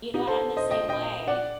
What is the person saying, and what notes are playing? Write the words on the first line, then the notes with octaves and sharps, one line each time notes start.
You know what? I'm the same way.
D#4 G4
A4 C5
C5 D#5
D#5 G5
D#5 G5
D5 F#5